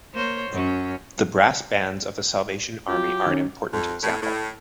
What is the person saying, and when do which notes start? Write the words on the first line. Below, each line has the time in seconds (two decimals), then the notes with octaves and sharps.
The brass bands of the Salvation Army are an important example.
0.13 A#3 C5 C#5
0.50 F#2 C#4
2.88 F#3 F4 G4
3.26 D#3 C#4
3.73 F2
4.03 A2
4.22 A2